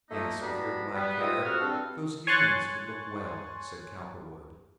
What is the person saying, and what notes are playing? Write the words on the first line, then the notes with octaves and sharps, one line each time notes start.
"Yes, with your black hair those ear-rings would look well," said Cowperwood.
A#2 A3 A#3 D#4
B2 G3 B3 D4 A#5 B5
G3 B3
F4 G4 B4 D#5 E5 D#6
F2 F#4 F6
E2 G2 C4 A4 F5
C#5 G#5 C6 C#6 F#6 A6